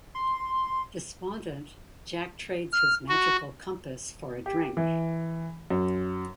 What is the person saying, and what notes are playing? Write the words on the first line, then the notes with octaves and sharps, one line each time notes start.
Despondent, Jack trades his magical compass for a drink.
C6
F6
F#4
G4
E3
F#2